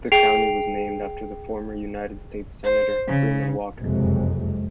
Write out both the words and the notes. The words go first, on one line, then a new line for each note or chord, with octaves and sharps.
The county was named after the former United States senator Freeman Walker.
G#4 G5 C7 D7 F7
C5
C#3
F#1 F2 C3 G#3